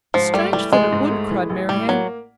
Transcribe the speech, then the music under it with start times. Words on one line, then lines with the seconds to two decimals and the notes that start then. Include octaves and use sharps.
"Strange that it would!" cried Marianne.
0.14 G#2 F3
0.34 G3 A3
0.53 E3 G3
0.72 A1 G#3
0.92 G#2
1.10 A3
1.31 E3
1.50 A1
1.69 A2 G3
1.89 F#3 A#3